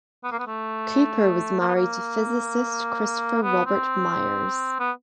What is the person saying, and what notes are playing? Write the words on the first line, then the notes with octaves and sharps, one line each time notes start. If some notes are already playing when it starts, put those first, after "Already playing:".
Cooper was married to physicist Christopher Robert Myers.
B3
A#3
B3
A3
A#3
B3
A#3
B3
C4
B3